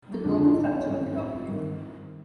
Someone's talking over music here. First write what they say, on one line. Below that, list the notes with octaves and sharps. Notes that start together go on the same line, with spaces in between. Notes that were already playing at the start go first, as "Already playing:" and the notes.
The global structure of the document.
F2 D3 F3 D4
A1 D#4
C#4
G2 D#3 C#4
C4
A1 C4
G2 D#3